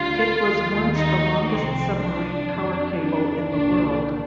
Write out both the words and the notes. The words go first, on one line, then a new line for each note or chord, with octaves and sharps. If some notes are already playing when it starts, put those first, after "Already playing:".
It was once the longest submarine power cable in the world.
Already playing: D2 D3 G3 F4
D#2 D#3 G3
D#4
C2 C3 F3 C4
D4
F2 D#3 G3
D4
C2 A#2 G3 D4